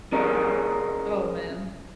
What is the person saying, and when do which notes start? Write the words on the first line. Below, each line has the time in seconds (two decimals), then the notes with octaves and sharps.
Oh man.
0.12 C#4 F#4 G#4 A#4 D5 D#5